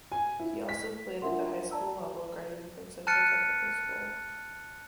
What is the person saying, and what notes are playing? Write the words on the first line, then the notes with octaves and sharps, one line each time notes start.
He also played at the high school level and graduated from Central Technical School.
G#5
E4
B6
D4 F4 A#4 E5 F#5 C6
D5 A5 A#5 E6
A5 F6 F#6 A6 C#7 D#7